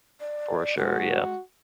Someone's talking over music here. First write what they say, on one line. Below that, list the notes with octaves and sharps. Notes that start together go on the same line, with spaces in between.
For sure, yeah.
D5
G#3 F#4